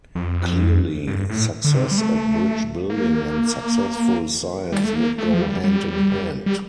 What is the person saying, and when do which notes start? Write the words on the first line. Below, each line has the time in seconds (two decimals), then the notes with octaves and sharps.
Clearly, success at bridge building and successful science would go hand in hand.
0.15 F2
1.07 G2
1.29 A2
1.64 D3
1.75 C3
1.91 G3
1.98 A3
2.90 A#3
4.72 G3
4.84 A3
4.95 A#3
5.18 A3
5.34 F3
5.41 G3
5.64 G3
6.46 G3